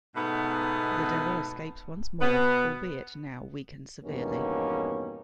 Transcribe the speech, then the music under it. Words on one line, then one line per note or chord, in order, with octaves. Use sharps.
The devil escapes once more, albeit now weakened severely.
G#2 B2 A3 B3 D#4
B2 B3
E2 G2 B2 D#3 A#3 C#4